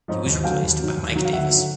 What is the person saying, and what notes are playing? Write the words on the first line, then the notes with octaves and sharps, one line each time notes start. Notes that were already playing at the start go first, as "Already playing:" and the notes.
He was replaced by Mike Davis.
G#2 F3 C#5 D#5
D#2
D3 F#3 F5 G5
D#2
D#3 F#3
D#2
D#3 F#3
F5
D2 E5 F#5
D3 F#3